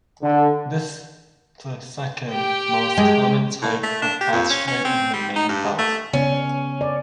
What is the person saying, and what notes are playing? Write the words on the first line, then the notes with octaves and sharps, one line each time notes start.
This the second most common type of asteroid in the main belt.
D3
G4 G5
G#3
A2
A3
D4
G4
F2
C#4
C#4
C4
G3
D#4
G2
A3
C#3 B3 C#4
D5